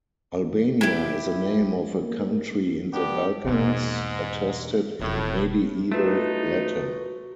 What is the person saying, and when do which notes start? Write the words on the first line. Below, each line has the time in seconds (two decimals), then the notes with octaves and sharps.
Albania is the name of a country in the Balkans, attested in Medieval Latin.
0.81 E4 G4
2.02 A#3
2.93 B3 D4 G4
3.44 E2 G#2 B2
5.00 E1 A2
5.92 A3 D#4 F4 F#4 B4